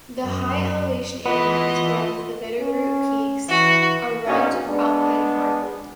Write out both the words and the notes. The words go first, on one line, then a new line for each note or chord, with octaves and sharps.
The high-elevation areas around the Bitterroot peaks are rugged alpine parkland.
F#2
E3 B3 F4 B4 D#5
C#4
E3 F#4
A#1 A#2 C#4 D#4 F#4
G#3 B3 D4